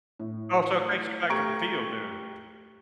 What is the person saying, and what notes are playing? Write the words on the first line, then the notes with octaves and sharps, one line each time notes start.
Oh, so it takes you back to the field then.
A2
A3 G4 A#5 C#6 G#6 D7